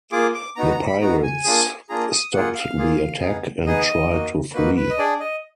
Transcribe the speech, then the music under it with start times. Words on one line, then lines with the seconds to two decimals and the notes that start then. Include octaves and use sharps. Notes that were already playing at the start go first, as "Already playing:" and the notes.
The pirates stopped the attack and tried to flee.
0.12 A#3 F4 G#4 D6
0.34 D6
0.56 B3 D#4 F#4 A#5
0.71 A#5
0.87 B5
1.00 B3 D#4 F#4 A#5
1.23 G#5
1.44 A#3 D4 F4 G#4
1.89 A#3 D4 F4 G#4 A#5
2.11 D#6
2.33 A#3 F4 G#4 F#5
2.55 F5
2.78 A#3 F4 G#4
3.22 B3 D#4 G#4
3.66 B3 D#4 G#4 D#5
4.10 A#3 D#4 F#4
4.54 A#3 D#4 F#4 B4
4.76 B4
4.90 D#5
4.98 D4 G#4 D5
5.20 D#5